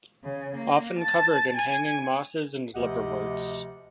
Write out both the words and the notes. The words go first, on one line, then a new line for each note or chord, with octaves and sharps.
Often covered in hanging mosses and liverworts.
C#3
A#3
A5
G#5
D2 C3 F3 G4 D#5 F#5